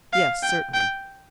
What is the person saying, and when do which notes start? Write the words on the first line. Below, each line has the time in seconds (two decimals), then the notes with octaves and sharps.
"Yes certainly."
0.13 F5
0.43 G5
0.74 G5